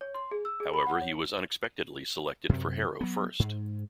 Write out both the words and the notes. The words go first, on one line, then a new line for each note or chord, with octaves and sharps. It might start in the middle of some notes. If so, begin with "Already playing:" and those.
However, he was unexpectedly selected for Harrow first.
C#5
C6
G#4
E6
G#4
B5
F#5
C#5
F#2 C3
F#3 B3
G#2